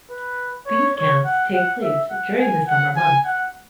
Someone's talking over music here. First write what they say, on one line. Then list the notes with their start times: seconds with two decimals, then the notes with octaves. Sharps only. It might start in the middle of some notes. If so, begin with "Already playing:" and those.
These camps take place during the summer months.
0.10 B4
0.67 C#5
0.96 C#5
1.25 F#5
1.53 F#5
1.82 E5
2.10 F#5
2.39 G#5
2.67 F#5
2.96 G#5
3.25 F#5